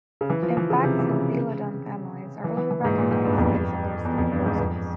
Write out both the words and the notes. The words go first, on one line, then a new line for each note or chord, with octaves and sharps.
In fact, some thelodont families are only recognised based on their scale fossils.
C#3
E3
F3
E3
C#3
C3
E3
C#3
E3
E3
E3
A#2
G#2
A#2
G#2
G2
E2
F2
E2
F2
G2
G#2
F2